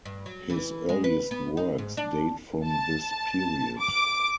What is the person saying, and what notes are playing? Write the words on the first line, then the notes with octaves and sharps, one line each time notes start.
His earliest works date from this period.
G2
F#3
E3
G#3
B4
B3
D#4
G#2
D4
A5
D6